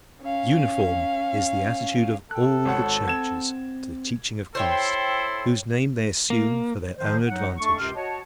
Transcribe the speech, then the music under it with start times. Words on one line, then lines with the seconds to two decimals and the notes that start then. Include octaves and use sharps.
Uniform is the attitude of all the churches to the teaching of Christ, whose name they assume for their own advantage.
0.22 C#4 F5
2.31 A4 G5 F#6
2.65 G#1 C#5 F#5
3.08 C4 F#5 G#6 E7
4.55 E4 A4 C5 C#5 G5 C6
6.30 A#3
6.97 D#3 F3 C5
7.27 F#3 D#4 F#5
7.57 F2 A3 D4 A4 C#6
7.79 C#2 F#2 C3 G4 C6 F6
7.95 F#4 C#5 D#5 A5